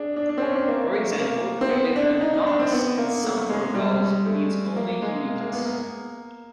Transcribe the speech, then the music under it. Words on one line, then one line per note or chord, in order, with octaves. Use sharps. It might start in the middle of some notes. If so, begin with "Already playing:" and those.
For example, creating a nonce in some protocols needs only uniqueness.
Already playing: D4 G#4
D4
D4
C4
C#4
D4
A#3
A3
A#3
C4
B3
D4
D#4
D#4
D4
C4
B3
A#3
A3
G#3
G3
G#3
A3
A#3
G#3
A#3
A#3
B3
A#3